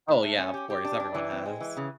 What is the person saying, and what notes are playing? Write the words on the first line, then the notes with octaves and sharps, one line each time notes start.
Oh, yeah, of course. Everyone has.
A2
A3
C#4
G4
G4
D4
D4
E3
C4
G#3
E3
C#3